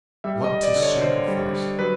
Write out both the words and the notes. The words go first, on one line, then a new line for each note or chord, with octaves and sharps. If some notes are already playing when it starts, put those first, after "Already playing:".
What to sacrifice!
G3 E5
D#5
G3
D5
D3
C#5
D3 C5
G3
G3
F#3 B4